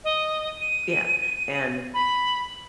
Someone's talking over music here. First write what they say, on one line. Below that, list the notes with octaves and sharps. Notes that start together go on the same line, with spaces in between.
Yeah, and,
D#5
D#7
B5